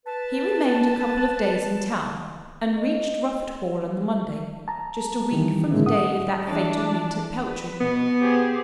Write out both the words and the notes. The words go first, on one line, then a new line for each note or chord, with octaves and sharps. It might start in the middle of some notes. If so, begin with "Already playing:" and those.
He remained a couple of days in town and reached Rufford Hall on the Monday,--just a week from the day of that fatal meet at Peltry.
B4 A5
D#5
A5 A#5
D#3 E3 G3
A2 D3 G#3 A#3 C4 E4
F#5 D#6
E3 D4
B4
B2 B3
G4 G#4 C5